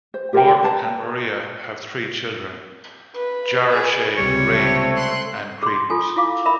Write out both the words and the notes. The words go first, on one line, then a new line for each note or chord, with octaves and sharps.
Roark and Maria have three children: Jara Shea, Reign, and Credence.
C5
G4 A#4 C#5 G5
B4 A5 A#5
B4
G#4
C#2 C3 G3 C#5
A3 C4
C6 F#6
G#4 C6
F4 A4 G#5
E4 F4 F5 D6
A#4 E5 B5